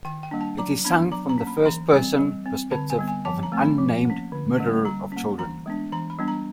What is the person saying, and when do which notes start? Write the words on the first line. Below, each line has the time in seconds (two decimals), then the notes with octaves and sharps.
It is sung from the first person perspective of an unnamed murderer of children.
0.05 D#3 G5
0.23 G5
0.31 G3 A#3 D4
0.41 A5
0.58 F#3 A#5
0.85 B3 D4 B5
1.12 F#3 A#5
1.29 A#5
1.38 A#3 C#4
1.47 B5
1.66 E3 A#5
1.92 G3 C4
2.19 G3
2.46 C4
2.71 D3 A5
2.90 G#5
2.98 G3 B3
3.08 G#5
3.25 F3 A5
3.43 A#5
3.52 A3 C4
3.61 B5
3.78 F3
4.05 A#3 C#4
4.32 D3
4.58 G3 A#3 C#4
4.85 G3 A#5
5.12 A#3 C#4
5.38 E3 A#5
5.66 G#3 B3 D4
5.92 E3 A#5
6.10 B5
6.19 G3 B3 D4
6.28 A#5